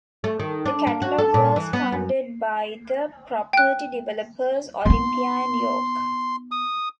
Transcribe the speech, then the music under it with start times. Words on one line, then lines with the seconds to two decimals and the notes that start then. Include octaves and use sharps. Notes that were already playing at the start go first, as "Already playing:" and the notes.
The catalogue was funded by the property developers Olympia and York.
0.24 A3
0.40 D#3
0.65 D4
0.87 A#3
1.02 F#4
1.18 A4
1.34 A#2
1.56 E3
1.73 B3
1.92 F#2
3.53 G5 F#6
4.85 B3 D#4 C6
6.51 D#6